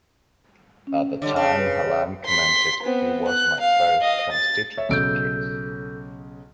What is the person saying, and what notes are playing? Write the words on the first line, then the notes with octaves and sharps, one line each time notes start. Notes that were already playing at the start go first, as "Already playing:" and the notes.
At the time Hallam commented He was my first constituency case.
C#4
D3 G3 C#5 D#5
C#3 A5
B4
D#5
C6 B6
B3 C4
F#6
F5
D#5 F5
A6
C#5 E5
B1 C#3 A4 E6 G6 D7